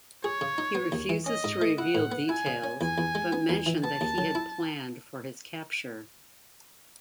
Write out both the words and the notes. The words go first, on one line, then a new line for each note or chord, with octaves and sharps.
He refuses to reveal details, but mentions that he planned for his capture.
G#4 C#5
C#3
D#4
B3
D#2
E3
C#4 D#5
G#2
A3
E4 F#5
A2
B3
E4 G#5
C#3
C#4
E2 G#5
E2
G#3
B3
E2
E3
B3 A5
D#2
F#3
E4